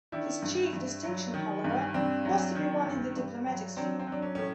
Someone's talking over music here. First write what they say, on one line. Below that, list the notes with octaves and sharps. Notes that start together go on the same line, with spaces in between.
His chief distinction, however, was to be won in the diplomatic sphere.
D#3 D4 E4
G2
G2
F#3
D#3
G2
G2 C4 D4
F#3
D#3
G2
G2
F#3
F#3 C4 D4
C4
F#3 D4
C#4
A2 C#4